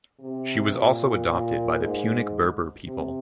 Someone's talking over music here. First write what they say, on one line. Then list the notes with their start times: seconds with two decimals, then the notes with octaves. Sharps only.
She was also adopted by the Punic Berber people.
0.20 C3
0.73 A#2
1.26 A#2
1.79 G#2
2.85 C3